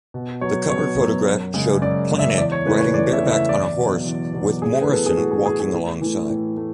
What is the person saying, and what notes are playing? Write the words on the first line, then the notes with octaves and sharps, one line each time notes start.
The cover photograph showed Planet, riding bareback on a horse, with Morrison walking alongside.
B2
F#3 B3 C#5
B2 C#5
F#3 B3
F#2
C#3 G#3
F#2 D5
C#3 G#3
E5
E2 D5
C#5
C#3 E3 A3 B4
C#5
E2 D5
E5
C#3 E3 A3
E5
E2 D5
B2 F#3 B3
E2
B2 F#3 B3
A2 G#4
B4
E3 B3 A4
G#4
A2 F#4
G#4
E3 B3 G#4
G#4
A2
E3 A3
A2
A3